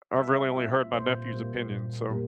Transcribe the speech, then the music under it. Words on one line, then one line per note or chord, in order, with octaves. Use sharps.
I I've really only heard my nephew's opinion, so
G3 E5
C4 F4
A#2 C5
G3 A#3 F4
A#2
G3 A#3